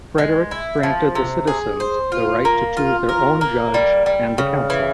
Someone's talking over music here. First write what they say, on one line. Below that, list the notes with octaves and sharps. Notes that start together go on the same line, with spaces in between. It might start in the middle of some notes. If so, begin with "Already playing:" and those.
Frederick granted the citizens the right to choose their own judge and the council.
G#3
E4
F3
C3
G#4
C5
F4
A#3
F4
A#4
A#3
G3
G3
C#3
E3